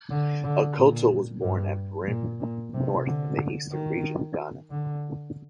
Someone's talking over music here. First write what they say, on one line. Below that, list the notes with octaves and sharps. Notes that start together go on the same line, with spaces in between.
Akoto was born at Birim North in the Eastern Region of Ghana.
D3
D3
A#2
G2
A#2
A#2
C3
D3
D#3
D3